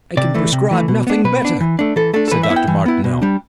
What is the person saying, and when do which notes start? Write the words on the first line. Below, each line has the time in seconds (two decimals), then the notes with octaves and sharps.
"I can prescribe nothing better," said Dr. Martineau.
0.17 C3 D5
0.34 E3 A3
0.52 C3
0.71 E3 A3
0.88 B2
1.07 B3 D4
1.24 B2 B4
1.42 B3 D4
1.61 E3
1.79 A3 D4
1.96 E3 A4
2.13 A3 D4 A4
2.28 A4
2.31 E3 B4
2.43 E5
2.50 B3 E4
2.56 G5
2.67 E3
2.86 B3 E4
3.04 B2
3.22 G3 D4